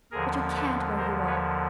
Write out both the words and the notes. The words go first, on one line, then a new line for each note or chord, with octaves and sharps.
But you can't where you are.
D#2 D3 F3 G#4 A#4
A4 B4
A#4 C5
B4 C#5